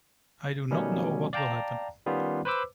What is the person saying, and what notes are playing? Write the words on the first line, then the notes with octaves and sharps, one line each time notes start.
I do not know what will happen.
B2 D#3 F#3 G3 A3 C#4
D5 F5 G5 A5 A#5
D#3 G3 B3 C#4 F4
B4 C5 B5 D6 E6